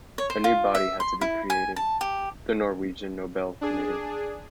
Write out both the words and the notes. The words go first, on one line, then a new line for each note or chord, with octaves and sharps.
A new body had to be created-the Norwegian Nobel Committee.
C#5
C5
F4
E5
C6
E4
G#5
A5
G4
D4 G#4